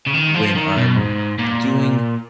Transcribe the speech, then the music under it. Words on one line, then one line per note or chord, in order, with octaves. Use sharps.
when I'm doing
C#3
D#3
F3
D#3
B2
G#2
A#2